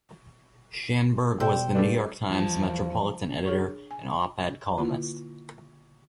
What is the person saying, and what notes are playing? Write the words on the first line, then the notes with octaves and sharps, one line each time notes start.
Schanberg was "The New York Times" Metropolitan Editor, and Op-Ed columnist.
B2 G3 A4 C5 G5
G2 G3 A3 D4
E2 F3 A5
D4 G#4 C#5 C#6
G#5
D3 A#3 E4 F4